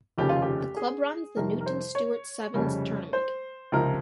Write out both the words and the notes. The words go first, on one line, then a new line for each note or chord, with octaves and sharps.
The club runs the Newton Stewart Sevens tournament.
F1 D#2 C#3 F3 G4
F4
G4
G#4
F2 C3 D#3 G3 A#4
A#4
C5
C#5
F1 F2 C#3 G3
C5
C#2 C3 F3 A#4